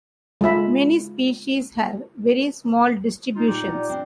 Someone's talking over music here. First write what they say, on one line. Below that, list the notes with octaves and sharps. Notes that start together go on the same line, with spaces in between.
Many species have very small distributions.
G#3 F4 E5 B5
D#4 F4
A#2 C4 D#4 G4
D5 E5 F#5
E3 C4 D4